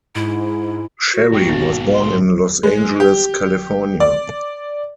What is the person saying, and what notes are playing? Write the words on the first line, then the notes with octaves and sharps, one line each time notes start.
Sherry was born in Los Angeles, California.
G#2 E4
F#4
G#2 A#3 G4
B1 A6
C6
G#3
G4
D5